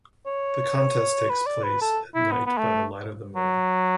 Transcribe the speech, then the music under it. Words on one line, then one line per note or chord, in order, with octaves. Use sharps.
The contest takes place at night by the light of the moon.
C#5
B4
D5
B4
A4
E4
B3
B3
A3
F#3